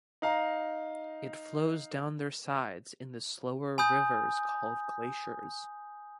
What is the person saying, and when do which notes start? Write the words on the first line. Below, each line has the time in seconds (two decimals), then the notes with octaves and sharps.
It flows down their sides in the slower rivers called glaciers.
0.22 D#4 F5 A#5
3.78 G#5 B5 D#6 G6